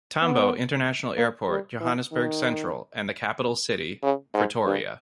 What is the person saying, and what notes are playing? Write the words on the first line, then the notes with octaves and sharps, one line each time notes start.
Tambo International Airport, Johannesburg Central and the Capital City, Pretoria.
B3
A#3
G3
E3
D#3
C#3
G#2
G2